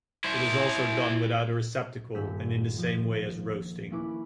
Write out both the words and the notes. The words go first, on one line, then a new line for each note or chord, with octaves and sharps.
It is also done without a receptacle and in the same way as roasting.
E4 C5
D#1 G2 C#4 E6 G6 B6
A#2 F3
A#3 C#4 E4 B4 D6